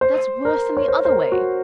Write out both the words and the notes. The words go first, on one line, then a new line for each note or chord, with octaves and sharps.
That's worse than the other way.
C5
A#4
C#5
C5
C5
A#4
F#4